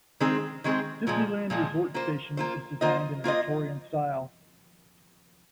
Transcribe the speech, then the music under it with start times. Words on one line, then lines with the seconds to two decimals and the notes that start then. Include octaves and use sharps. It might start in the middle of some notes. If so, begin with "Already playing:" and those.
Disneyland Resort station is designed in a Victorian style.
0.20 D#3 G#3 C4 G#4
0.64 D#3 G#3 C4 G#4
1.07 A#2 F3 G#3
1.50 A#2 F3 G#3
1.94 A#3 F4 C5
2.37 A#3 F4 C5
2.81 A#3 F4 C5 D#5
3.24 A#3 F4 C5 D#5